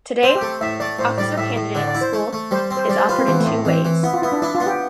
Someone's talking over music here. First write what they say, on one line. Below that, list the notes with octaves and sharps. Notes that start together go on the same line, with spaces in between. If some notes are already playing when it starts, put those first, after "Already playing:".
Today, Officer Candidate school is offered in two ways.
C4 C5
G4
A3 A4
A2 E5
A3 D5
A2 C5
G3 D5
A2 E5
A2
D3 D5
D5
E4
C5
A3
A3
G3 C5
C4
C5
G3 D5
C5
F4 B4
C4
E3 B3
A3
A2
E3 C4
E3
B3 E4
F4
B3 E4
D4
D4 E4
F4
B3
G4